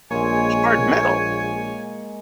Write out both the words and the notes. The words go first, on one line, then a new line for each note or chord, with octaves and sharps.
hard metal.
A#1 G#3 A#3 C#5 G#5